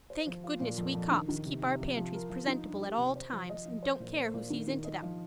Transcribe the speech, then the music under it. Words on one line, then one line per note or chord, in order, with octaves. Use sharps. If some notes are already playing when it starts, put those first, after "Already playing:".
Thank goodness, we Copps keep our pantries presentable at all times and don't care who sees into them.
C5
F3
F4
A#2
F2
F2
D#3
D#3
C3
C3
F3
F3
A#4
F3
D#4
G2
G4
C3
C5
F3
D#5
F3
C5
A#2
C5
A#2
D#3
D#3
D#5
F3